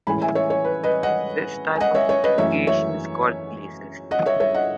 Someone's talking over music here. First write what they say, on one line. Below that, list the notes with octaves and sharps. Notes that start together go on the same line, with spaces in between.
This type of fortification is called glacis.
A2 E3 G#3 C#4 G#5 B5
E5 G#5
C#5 E5
C#5
B4
B4 D#5
D#5 F#5
G#5
D#5 F#5
C#5 E5
C#5
B4 D#5
F#2 E3 A3 C#4 C#5 E5
C#5 E5
D#5 F#5
C#5 E5
C#5 E5
D#5 F#5